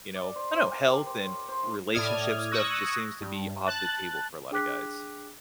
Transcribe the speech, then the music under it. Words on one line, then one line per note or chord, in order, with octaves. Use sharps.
you know I don't know, health and relationship stuff just seems to be off the table for a lotta guys.
D5
C5
C5
A#4
G4
C5
C#5
C5
G#2
A2 D5 D#6 F6 G#6
C#6 D#6 E6 F#6 G#6 A#6
G2
A5 F#6 A6
D4 G#4 G5 D6 F#6 B6